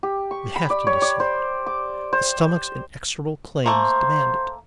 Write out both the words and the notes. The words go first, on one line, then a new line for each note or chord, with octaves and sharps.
We have to descend; the stomach's inexorable claims demand it.
G4
C#6
B5
D5
C#5
D5
C5
D6
C5
A3 A#3 C5